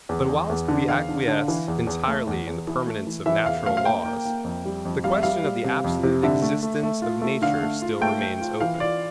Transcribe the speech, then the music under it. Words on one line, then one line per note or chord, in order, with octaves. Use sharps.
But whilst we acquiesce entirely in the permanence of natural laws, the question of the absolute existence of nature still remains open.
E2
E2
E2
D3
E2 F5
D3
D3
E3
E2
E2
A3
E2
E2
E3
A3
E3
E3 E5
E2 F5
A3 F5
F5
A#3 G5
A#3
A#3
F2
G3
F2
G3 F5
E5
G3 F5
G3
C3
F2
C3
D3 E5
A3
A3
A3
F4
A3
D3 F5
A3
F4
A3 G5
A3
F4
E3 F5
F4 D5